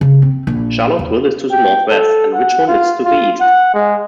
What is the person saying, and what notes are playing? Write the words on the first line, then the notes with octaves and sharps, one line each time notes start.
Charlottesville is to the northwest, and Richmond is to the east.
C#3
C4
A#1
E2
G5
A4
F#5
F4
F4
F#5
G#3